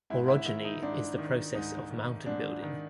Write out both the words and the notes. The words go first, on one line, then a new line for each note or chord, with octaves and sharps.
Orogeny is the process of mountain building.
G#2 E4
E4
D#3 E4
D#4
G#2 D4
D#3
G#2 D#4
D#3
G#2 D4
D#3